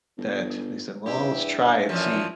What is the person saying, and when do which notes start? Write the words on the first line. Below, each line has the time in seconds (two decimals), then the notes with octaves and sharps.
that they said, "Well, let's try and see
0.17 G1
1.06 E2 G2 E4 G4
1.89 F#2 A#2 E3 F3